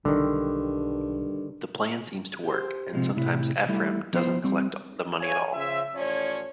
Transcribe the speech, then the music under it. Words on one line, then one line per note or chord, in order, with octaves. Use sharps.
The plan seems to work, and sometimes Ephram doesn't collect the money at all.
B1 G2 D3 D#3 G3
G4 C5
C3 F3 G#3
A2 C3 E4
G3 A3 E4
F3 B3 E4 A#4 C5
G3 C4
C#5 F5 G#5
C#3 F3 E5
A1 F3 C#4 C#5 D5